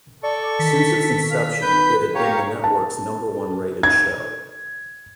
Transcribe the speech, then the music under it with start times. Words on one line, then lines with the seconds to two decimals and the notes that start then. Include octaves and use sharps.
Since its inception, it had been the network's number-one rated show.
0.23 A4 D5 C#6
0.59 D#3 B6
1.31 F5
1.62 B4 G6
2.15 G4 C#5 F5 A#5 C#6
2.64 A5
3.83 G#6